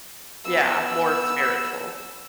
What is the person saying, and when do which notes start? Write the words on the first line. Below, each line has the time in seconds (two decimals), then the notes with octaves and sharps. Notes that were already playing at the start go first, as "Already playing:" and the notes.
Yeah, more spiritual.
0.45 B3 E6